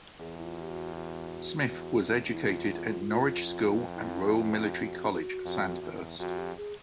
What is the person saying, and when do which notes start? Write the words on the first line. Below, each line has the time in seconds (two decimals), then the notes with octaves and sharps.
Smith was educated at Norwich School and Royal Military College, Sandhurst.
0.19 E2 G#4
0.38 E4
0.44 F4
0.61 G4
0.70 F#4
0.95 F#4
1.70 E2
2.26 D#4
2.35 E4
2.44 F4
3.20 F2
3.95 E4
4.20 F4
4.44 E4
4.70 F#4
5.45 F2
5.83 E2
6.19 F2 F#4
6.38 G4
6.57 G#4